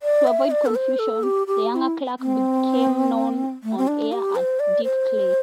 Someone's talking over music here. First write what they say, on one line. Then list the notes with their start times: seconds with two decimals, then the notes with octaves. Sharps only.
To avoid confusion, the younger Clark became known on-air as "Dick Clay".
0.03 D5
0.27 E5
0.51 D5
0.66 A4
0.75 C5
0.99 A4
1.23 G4
1.47 G4
1.71 G4
1.76 E4
2.19 C4
3.63 A3
3.78 C4
3.87 D4
4.12 G4
4.35 C5
4.60 D5
4.84 C5